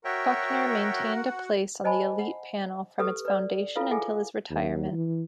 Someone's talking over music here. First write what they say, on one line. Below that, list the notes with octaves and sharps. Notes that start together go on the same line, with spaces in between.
Bucknor maintained a place on the Elite Panel from its foundation until his retirement.
F#4 A#4 C#5 E5 F#5 G5
C5 D#5 G#5 A5 B5
F#5
G4 A4 B4 D#6
B4 D5
E4 F4 A4 B4 F5
G#4 A4 E5 F#5 G#5
D#2
E3